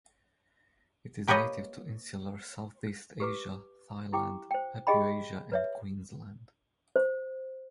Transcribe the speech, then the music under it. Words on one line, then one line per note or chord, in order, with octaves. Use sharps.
It is native to insular Southeast Asia, Thailand, Papuasia, and Queensland.
A#3 G4 B4 C#5 D#5
G4 B4 D6
E4 G4 G5 D6
C5 G5
G4 G#4 D#5 G5 B5
B4 C#5 E5
C5